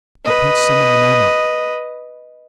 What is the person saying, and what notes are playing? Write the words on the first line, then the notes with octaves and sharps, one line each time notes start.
The prince summoned the nomarch.
B4 D#5